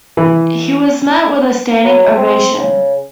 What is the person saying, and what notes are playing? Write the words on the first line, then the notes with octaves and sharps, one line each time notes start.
He was met with a standing ovation.
E3
F#3
C4
C#3